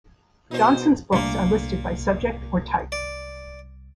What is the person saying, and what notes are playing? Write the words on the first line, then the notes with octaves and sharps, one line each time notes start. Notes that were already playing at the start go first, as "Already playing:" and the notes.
Johnson's books are listed by subject or type.
B2 D#4 C5
C2 A#2 G3 A3 A#3 D4
D5